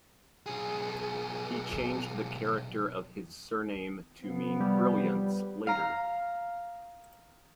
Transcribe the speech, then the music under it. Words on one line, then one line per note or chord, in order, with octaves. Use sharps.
He changed the character of his surname to mean "Brilliance" later.
B1 G#4
C3 F3 B3
G3
F5 A#5